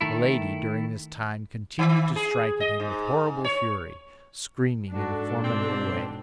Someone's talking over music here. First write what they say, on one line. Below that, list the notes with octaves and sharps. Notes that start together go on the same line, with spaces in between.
Milady during this time continued to strike at him with horrible fury, screaming in a formidable way.
D#3 A3 E4
D#3
G#4
D#5
G#2
C#5
G#2 D4 F#4 A4
G#2 B2 C4